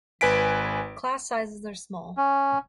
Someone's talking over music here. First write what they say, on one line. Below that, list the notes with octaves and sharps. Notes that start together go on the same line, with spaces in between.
Class sizes are small.
G#1 B4 G#5 B6 D7
C#4